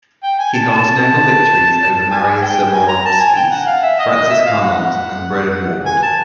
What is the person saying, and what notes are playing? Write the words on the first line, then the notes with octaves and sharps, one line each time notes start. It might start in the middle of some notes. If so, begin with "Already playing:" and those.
He holds notable victories over Marius Zaromskis, Francis Carmont, and Brennan Ward.
G5
G#5
A5
A5
G#5
G5
G#5
A#5
A5
G#5
G5
F#5
F5
E5
D#5
D#5
E5
F5
F#5
G#5
A5